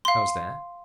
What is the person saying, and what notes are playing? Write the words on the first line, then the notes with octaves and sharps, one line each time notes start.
How's that?
F5 C6